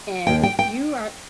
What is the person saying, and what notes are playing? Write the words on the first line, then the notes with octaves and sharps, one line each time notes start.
and if you are
D#2 G5
G5
G5